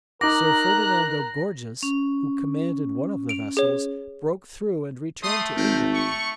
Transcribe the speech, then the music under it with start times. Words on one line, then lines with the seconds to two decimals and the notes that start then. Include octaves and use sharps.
Sir Ferdinando Gorges, who commanded one of the vessels, broke through and returned to England.
0.21 D#4 A#4 A#5 D6 F#6 A#6
1.83 C#4
3.29 D7 F7
3.57 G#4 C#5
5.24 A3 C6 D#6
5.57 G#1 A#4 C5 G5
5.95 C#6